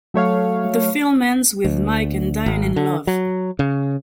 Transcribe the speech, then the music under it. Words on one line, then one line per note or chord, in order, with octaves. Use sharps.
The film ends with Mike and Diane in love.
F#3 A3 C#5 F5
D2
G#1
D3
F#3
C#3